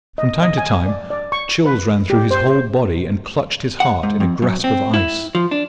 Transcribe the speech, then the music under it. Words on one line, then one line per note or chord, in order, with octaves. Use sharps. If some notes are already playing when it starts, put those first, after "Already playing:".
From time to time chills ran through his whole body, and clutched his heart in a grasp of ice.
D#5
D#5
G#5
D5
D5
C#6
B4
G4
C5
C5
F#5
G#2
F2
F#2
C4
E4
F3
D4